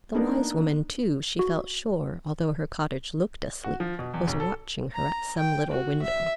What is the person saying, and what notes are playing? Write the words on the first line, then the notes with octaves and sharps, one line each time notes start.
The wise woman, too, she felt sure, although her cottage looked asleep, was watching her at some little window.
A#3 B3 D4 D#4 A#4
F#4
F#4
F3
B2
E2
B1
A4
A#5
G5
F#4
E5